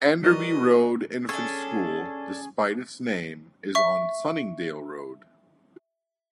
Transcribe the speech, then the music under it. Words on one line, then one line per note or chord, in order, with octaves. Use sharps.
Enderby Road Infants School, despite its name, is on Sunningdale Road.
E3 G3 F#4 A#4 D#5 C#6
C#4 D4 G#4 A4 C#5
E5 C#6